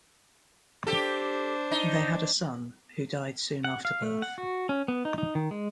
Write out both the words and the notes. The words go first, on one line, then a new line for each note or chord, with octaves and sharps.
They had a son, who died soon after birth.
D4 G4 A4 C5
D#4
F#5
F5
A3
F#5
F#4
C#4
B3
D#4
D#4
D#3
G#3